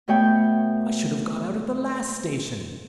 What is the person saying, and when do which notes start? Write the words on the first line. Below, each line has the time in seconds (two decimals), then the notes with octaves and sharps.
I should have got out at the last station.
0.08 B2 A3 C#5 E5 G5